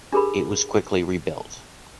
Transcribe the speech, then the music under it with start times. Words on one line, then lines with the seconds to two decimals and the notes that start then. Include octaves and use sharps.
It was quickly rebuilt.
0.13 D4 G4 G#4 A#4 B5